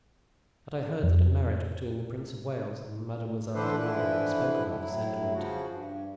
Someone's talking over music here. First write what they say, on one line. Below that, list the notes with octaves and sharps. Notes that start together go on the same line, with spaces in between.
"But I heard that a marriage between the Prince of Wales and Mademoiselle d'Orleans was spoken of," said De Winter.
F2
D3 E3 D4 A4 B4 C5
D3 E3 F3 E4 B4
D3 D#3 F3 G#3 E4
A2 F#3 E4
C#3 F3 F#4
G2